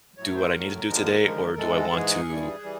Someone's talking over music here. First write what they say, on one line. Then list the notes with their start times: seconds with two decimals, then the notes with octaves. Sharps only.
do what I need to do today?" or, "Do I want to,
0.17 A2 F#3 A3 C#5
0.35 C5
0.53 A2 F#3 A3 A#4
0.88 D#2 D3 F3 G#3
1.22 D#2 D3 F3 G#3
1.57 G#2 E3 G#3 A4
1.76 A4
1.93 G#2 E3 G#3 G#4
2.27 G2 E3 G3
2.63 E3 G3